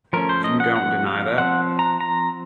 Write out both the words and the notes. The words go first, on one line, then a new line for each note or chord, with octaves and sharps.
You don't deny that.
F3 A3 C#4 A#4
C5
D#5
F#5
F#5
F5
F3 C4 F#5
A#5
A#5